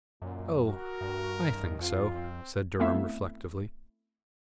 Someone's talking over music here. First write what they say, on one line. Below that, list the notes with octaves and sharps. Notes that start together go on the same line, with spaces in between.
"Oh, I think so," said Durham, reflectively.
F#2 A#2
F#4 A#4
G2
A1 D#3
F2 F4
C4
A3 B3 C4 E4 E5 F5